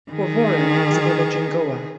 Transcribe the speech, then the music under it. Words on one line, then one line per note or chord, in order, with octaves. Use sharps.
Porvorim is a village in Goa.
D#3 G#4